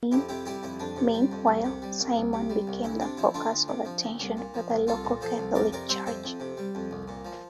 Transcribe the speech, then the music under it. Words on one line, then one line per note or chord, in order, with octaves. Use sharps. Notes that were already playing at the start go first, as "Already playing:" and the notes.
Meanwhile, Simon became the focus of attention for the local Catholic Church.
F2 E4 G4
C3 E4 G4
G3 E4 G4
F2 E4
F2 D4
C3
G3
F2
C2
C3
G3
C2
C2
C3
G3
C2
D2 E4
C3 D4
F3 E4
D2 D4 F4
D2
C3
F3
D2
C2
A#2
F3
C2
C2 F4 A4
A#2
F3 A4 C5
C2
F2 A#4 D5
C3 A#4 D5
G3 C5 E5
F2 C5 E5
F2
C3
G3
F2
C2
A#2
F3